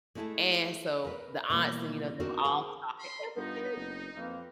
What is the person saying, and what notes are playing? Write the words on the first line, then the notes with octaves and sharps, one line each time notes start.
and so the aunts and, you know, they were all talking, it was very
G#3 A3 B3 E4 G#4 A4
A#4 B4
B2 D3 E3 G3 A#3
B3 C4 D4 D#4 F#4 A#4
G#4 A#4 C5 F#5 G5
B5 C6
G2 B3 D#4 F4 B4
F#1 C4
F2 A#3 C4 B4